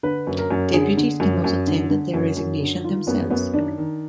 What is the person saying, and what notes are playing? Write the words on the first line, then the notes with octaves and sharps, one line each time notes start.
Deputies can also tender their resignation themselves.
D3 B4
F#2
A#4
F#2
D3 G#4
D3
F#2
F#2
D3
D3
F#2
F#2
D3
D#3 F4
F#2 B3
F#2 B3
D#3 D4
D#3